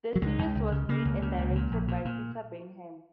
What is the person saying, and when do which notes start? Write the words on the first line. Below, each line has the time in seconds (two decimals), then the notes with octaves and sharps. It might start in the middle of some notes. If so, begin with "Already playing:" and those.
The series was made and directed by Peter Baynham.
0.16 F#3
0.22 C#2 G#3
0.39 C#2
0.55 C#2
0.72 C#3
0.89 C#3 A#3
1.05 C#2
1.22 C#3
1.38 C#2
1.55 A#2
1.72 A#1
1.88 A#2
2.05 A#2